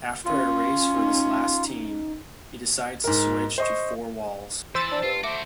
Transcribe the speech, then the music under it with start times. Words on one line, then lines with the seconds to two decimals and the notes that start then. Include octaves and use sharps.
After a race for this last team, he decides to switch to four walls.
0.25 C#4 F4
0.95 D#4
3.04 G#2 A#4
3.58 C5 D#5 C#6
4.75 E3 C5 E6 A6
4.92 D4
5.03 G2 F4
5.23 A3 F#4 C5 D6